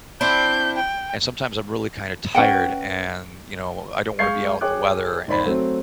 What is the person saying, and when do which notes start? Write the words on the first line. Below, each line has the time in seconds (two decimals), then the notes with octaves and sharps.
And, sometimes, I'm really, kinda, tired and, you know, I don't wanna be out in the weather, and,
0.21 C4 D4 E4 G6
0.77 G5
2.35 C#4 B4 F#5 G5
4.19 G#3 F5 C#6 G6 G#6 C7
4.61 G#4 C#5 G5 D6 F#6
5.27 G#1 D#3 C5 D5 B5 C6
5.45 F#3 A3 C4